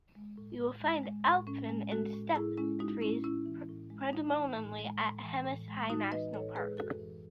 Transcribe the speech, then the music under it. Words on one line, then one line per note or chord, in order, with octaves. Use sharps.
You will find alpine and steppe trees predominantly at Hemis High National Park.
G#3
A2
A2
G#3
G#3
A2
A2 C#4
G#3
G#3 F#4 A4
A2
A2 E4 G#4
G#3 C#4 E4
G#3 D#4 F#4
A2 C#4 E4
A2 C#4 E4
E3
A2
G#3
A2 D#4
E3
A2
G#3
A2
E3
A2
G#3
A2 D#4 F#4
E3 B4 D#5
A2 A4 C#5
G#3 G#4 B4
F#2 F#4 A4
E3